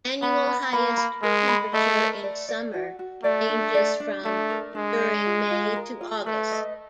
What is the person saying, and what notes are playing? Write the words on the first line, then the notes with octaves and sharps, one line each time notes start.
Annual highest temperature in summer ranges from during May to August.
B3 B5
B5
A#3 B5
B5
G#3 A#4
B5
A3 D#5
A#4
D5
D5
F#4
F#4
A3 D5
D4
D5
D4
A3 D4
A#4
G#3 D4
D4
F4
F4
A#4
F4
A3 B4
D#5